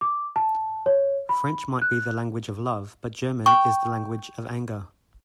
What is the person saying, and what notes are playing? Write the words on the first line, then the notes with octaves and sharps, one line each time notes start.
French might be the language of love, but German is the language of anger.
D6
A5
C#5
B5
F#6
G5 C#6